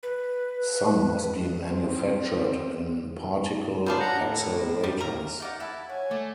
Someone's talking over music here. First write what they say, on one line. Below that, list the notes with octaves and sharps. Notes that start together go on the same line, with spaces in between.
Some must be manufactured in particle accelerators.
B4
C4
B3 C#4 D4 F4 C5
F#5 A#5
A2
G3
A#4
D#4 D5 F5 F#5
E4 E5 F#5 A5
F#4 C#5 G#5
A3 D5